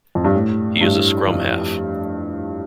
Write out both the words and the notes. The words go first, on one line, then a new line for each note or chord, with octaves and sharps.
He is a scrum half.
F2
G2
A2
G2
F2